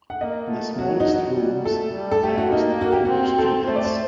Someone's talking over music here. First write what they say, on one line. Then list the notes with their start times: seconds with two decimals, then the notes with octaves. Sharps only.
The smallest rooms housed two students.
0.10 F#5
0.21 A#3 D#5
0.51 A3
0.78 F#3 F#4
1.00 D#4
1.08 F#4
1.36 G3
1.65 A3 A4
1.94 G3
2.11 A4
2.23 A3 G4
2.38 F#4
2.52 A#3 D#4
2.81 F#4
2.92 G4
3.05 C4 F#4
3.38 A4
3.67 A3 C5
3.76 D5
3.85 C5